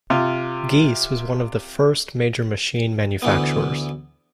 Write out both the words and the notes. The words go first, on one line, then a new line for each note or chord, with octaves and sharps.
Giesse was one of the first major machine manufacturers.
C3 F4
D2 E3 B3